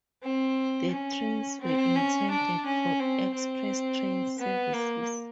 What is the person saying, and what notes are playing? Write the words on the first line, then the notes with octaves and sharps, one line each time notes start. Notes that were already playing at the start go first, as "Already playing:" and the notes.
The trains were intended for express train services.
C4
C#4
C4
C#4
D4
C#4
C4
C4
B3
A#3